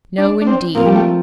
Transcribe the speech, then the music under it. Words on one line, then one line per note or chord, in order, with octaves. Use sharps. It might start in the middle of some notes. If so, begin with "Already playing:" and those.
"No, indeed."
D4
D4
C4
F3 A#3 C4 F4 A#4
G3
A3